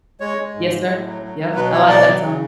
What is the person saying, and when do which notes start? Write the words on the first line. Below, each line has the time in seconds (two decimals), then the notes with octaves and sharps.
Yes, sir, yep, I like that song.
0.20 G#3 C#5
0.38 G#3
0.54 G#2
0.71 G#3
0.88 A2
1.05 F#3
1.22 F#3
1.38 F#3
1.55 B2 B4
1.73 F#3 C#5
1.89 B2 D5
2.07 F#3
2.23 C#3